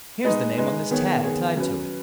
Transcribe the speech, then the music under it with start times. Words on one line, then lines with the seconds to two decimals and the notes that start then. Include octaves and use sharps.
Here's the name on this tag tied to it.
0.24 G#3 D#4 B4 D#5
0.58 G#3 D#4 B4 D#5
0.90 D#3 B3 G#4 C#5
1.23 D#3 B3 G#4 C#5
1.56 F#3 C#4 B4